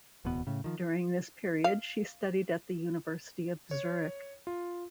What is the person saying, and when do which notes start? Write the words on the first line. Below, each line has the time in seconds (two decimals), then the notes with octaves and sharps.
During this period, she studied at the University of Zurich.
0.25 D1 E2 B2 B3
0.47 A2 C#3
0.64 D#3 F3
1.64 F5
3.71 C#5
4.47 F4